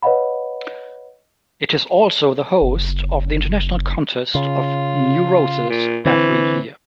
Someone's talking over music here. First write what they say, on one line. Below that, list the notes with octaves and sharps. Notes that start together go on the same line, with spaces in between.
It is also the host of the International Contest of New Roses every year.
B4 C#5 D#5 F5 F#5 B5
F#1
C#3 F4
A#2
D3 E3 C4